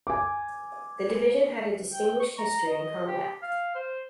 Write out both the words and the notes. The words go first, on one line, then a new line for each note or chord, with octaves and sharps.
The division had a distinguished history in combat.
G#5 D6
G5
C#6
A#5
D#5
G4
F5
C5